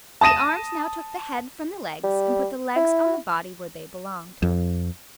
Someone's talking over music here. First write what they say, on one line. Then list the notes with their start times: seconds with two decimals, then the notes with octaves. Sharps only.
The arms now took the head from the legs and put the legs on the body where they belonged.
0.21 A5 D#6 A#6 D#7 E7
2.03 G3
2.76 E4
4.42 F2